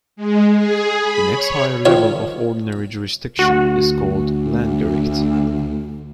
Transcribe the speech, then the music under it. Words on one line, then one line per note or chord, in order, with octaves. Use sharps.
The next higher level of ordinary jurisdiction is called Landgericht.
G#3
G#4
B5
C#5
D#3 F3 C#5
D2 F#4